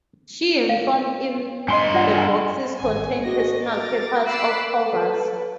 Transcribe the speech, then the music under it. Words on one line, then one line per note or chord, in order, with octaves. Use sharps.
She informed him the boxes contained personal papers of Hoover's.
F5
G2 D#5 G#5 C6
F4 D5 F#5
D4 G#5
G#1 G#5
D4 F#4 G#4 D#5 A#6
A#5 D6 A6 A#6
B5 D6 E6 F#6 B6 C7
A4 B4